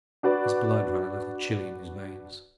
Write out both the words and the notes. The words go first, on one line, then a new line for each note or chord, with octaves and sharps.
His blood ran a little chilly in his veins.
D4 F#4 B4 D5